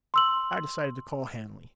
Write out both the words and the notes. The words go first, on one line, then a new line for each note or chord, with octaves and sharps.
I decided to call Hanley.
C6 E6 F#7